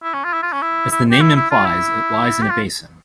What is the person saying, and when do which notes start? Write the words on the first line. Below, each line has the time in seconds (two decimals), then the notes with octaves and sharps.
As the name implies, it lies in a basin.
0.03 E4
0.14 C#4
0.24 F4
0.33 E4
0.43 F4
0.53 C#4
0.62 E4
0.92 E4
1.12 G4
1.21 E4
1.36 E4
1.51 F4
1.66 E4
2.42 G4
2.50 F4